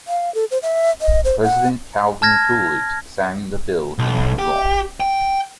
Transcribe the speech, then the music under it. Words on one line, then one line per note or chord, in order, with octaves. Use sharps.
President Calvin Coolidge signed the bill into law.
F5
A4
C5
E5
D#5
C5
F#5
A5 F6 G#6 A#6
B1
G4
G5